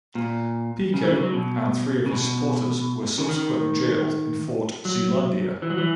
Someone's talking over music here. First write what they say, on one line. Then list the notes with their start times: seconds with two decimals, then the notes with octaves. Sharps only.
Piko and three of his supporters were subsequently jailed in Fort Zeelandia.
0.15 A#2
0.94 C#3
1.03 E3
1.13 C#3
1.23 F#3
1.34 B2
2.06 C#3
2.12 B2
3.18 C#3
3.29 D#3
4.85 F#3
5.62 E3
5.70 F#3
5.78 E3